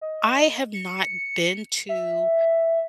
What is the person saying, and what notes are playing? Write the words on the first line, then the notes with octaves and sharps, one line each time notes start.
I have not been to
D#5
C#7
E5